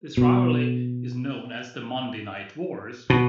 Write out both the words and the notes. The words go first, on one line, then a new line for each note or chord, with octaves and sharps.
This rivalry is known as the Monday Night Wars.
B2
B2